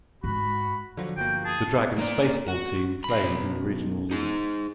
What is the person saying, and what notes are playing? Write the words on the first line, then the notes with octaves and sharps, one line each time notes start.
The Dragons baseball team plays in the Regional League.
G#2 F#4 B5
D3 F3 F#3 F#4
G1 F3 A#3 F#4 G5
G#4 A5
A#3 D5
F#4
B1 B5
D#4 G#4